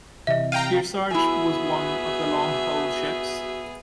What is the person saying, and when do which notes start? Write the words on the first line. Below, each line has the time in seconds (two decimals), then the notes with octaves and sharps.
"Kearsarge" was one of the "long-hull" ships.
0.27 C3 E3 D#5 E5
0.52 F5 G5 A#5 D#7
1.11 B3 E4 F#4 G#4 E5 G#5